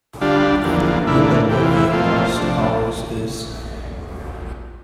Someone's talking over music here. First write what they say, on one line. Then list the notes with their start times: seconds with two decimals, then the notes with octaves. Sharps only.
You know what a house ours is.
0.21 D3 G3 D4 F4
0.64 E2 D3 F3 A#3
1.07 A2 E3 A#3 D4 E4
1.49 E2 C3 E3 G4
1.63 F4
1.77 E4
1.91 A#2 F3 A3 C4 F4
2.36 C3 F3 A3 D4